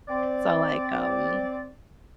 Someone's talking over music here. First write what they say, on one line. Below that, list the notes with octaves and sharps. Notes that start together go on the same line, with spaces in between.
So, like, um
C4 D5